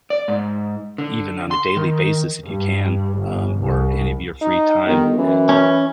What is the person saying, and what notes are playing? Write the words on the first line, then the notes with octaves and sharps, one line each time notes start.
even on a daily basis if you can, um, or any of your free time, and
D5
G#2
D3
C6
D#3
G2
G1
C2
D#4
G1 D#3
F#2 E3
C#4